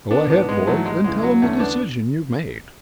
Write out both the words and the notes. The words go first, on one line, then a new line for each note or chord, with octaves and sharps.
"Go ahead, boys, an' tell him the decision you've made."
B3 D4
G#2 E3 B3 D4
G#3 B3
G#2 E3 F#3 A3
G#3
E2 C#3 E3 G#3
G#3
F#3
E2 D3 A3 C#4
B3 D4